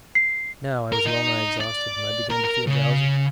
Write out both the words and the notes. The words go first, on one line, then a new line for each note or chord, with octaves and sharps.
Now I was well-nigh exhausted, and began to feel drowsy.
C7
A#4
D#4
D5
A#4
A#4
C#3